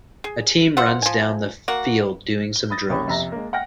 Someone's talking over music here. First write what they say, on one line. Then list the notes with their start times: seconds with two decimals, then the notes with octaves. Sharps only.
A team runs down the field doing some drills.
0.24 G#4
0.77 F4 C5 E5 F#5
1.02 F3 G#5
1.68 A#3 F#4
2.56 G7
2.70 B5 D#6 A6 A#6
2.89 F#1 C2 C#4 G4 D#6
3.07 F2 C3 E5 A#5 A#6
3.32 G#3 A#3
3.53 F#5 G5 F6 A#6